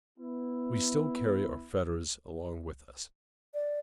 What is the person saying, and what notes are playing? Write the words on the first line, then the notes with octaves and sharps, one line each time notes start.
We still carry our fetters along with us.
B3 E4
D5